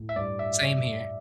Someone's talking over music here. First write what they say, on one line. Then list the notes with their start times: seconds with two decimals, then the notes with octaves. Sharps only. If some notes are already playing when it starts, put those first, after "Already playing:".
Same here.
Already playing: A2
0.09 E5
0.16 G2 D5
0.39 E5